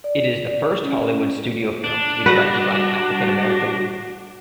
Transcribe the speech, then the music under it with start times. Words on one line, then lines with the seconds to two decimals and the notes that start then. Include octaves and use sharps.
It is the first Hollywood studio film to be directed by an African American.
0.04 D5
0.46 D5
0.83 C#4
1.84 D4
2.26 G3 F#4 B4 A#6